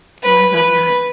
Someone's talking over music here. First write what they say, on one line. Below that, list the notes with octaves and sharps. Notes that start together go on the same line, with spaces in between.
Oh, I love that.
B4
B4